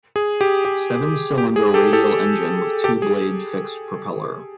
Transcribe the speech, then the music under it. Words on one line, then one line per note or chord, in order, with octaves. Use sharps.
Seven-cylinder radial engine with two-blade fixed propeller.
G#4
G4
G4
G4
G#4
G4 A4
G4 A4
G4 A4
G#4
G#4